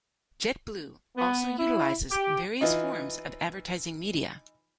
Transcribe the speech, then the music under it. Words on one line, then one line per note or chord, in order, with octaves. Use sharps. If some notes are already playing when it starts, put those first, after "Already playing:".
JetBlue also utilizes various forms of advertising media.
B3
E4
G4
E3 D#4 F4 D#5